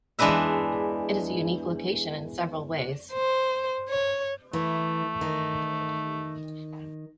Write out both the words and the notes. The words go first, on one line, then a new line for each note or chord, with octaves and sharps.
It is a unique location in several ways.
E2 E3 G#3 D4 B4 E5
C5
C#5
E3 A3
D#3